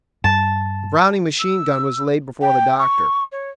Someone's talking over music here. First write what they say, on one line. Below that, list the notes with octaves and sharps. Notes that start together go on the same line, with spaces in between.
The Browning machine-gun was laid before the doctor.
G2 A5
E6
G5
C#6
C#5